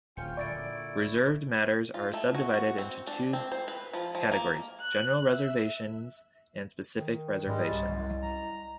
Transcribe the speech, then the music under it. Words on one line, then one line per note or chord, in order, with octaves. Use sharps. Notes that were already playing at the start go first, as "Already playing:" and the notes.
Reserved matters are subdivided into two categories: General reservations and specific reservations.
D1 C#4 F4 G5 C#7
A#2 D3 E4 D5 C#6 A6 D7
F4
A3
F#4
F#4
C4
D4
C4
C5
B4
F3
F3
A#3
F#6
E5
D#3
G#2 G3 G#3
C2 F#2 D#5 A6
A#5